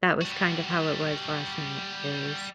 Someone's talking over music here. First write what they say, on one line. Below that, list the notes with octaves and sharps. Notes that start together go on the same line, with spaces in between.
That was kind of how it was last night is
G3 F#4